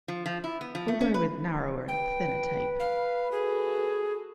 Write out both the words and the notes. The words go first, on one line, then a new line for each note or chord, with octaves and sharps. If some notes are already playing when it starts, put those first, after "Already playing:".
Although with narrower and thinner tape.
F3
F3
E4
B3
F3
A3
C#4
B4
B4 G5
F5
F#4 G#4 A4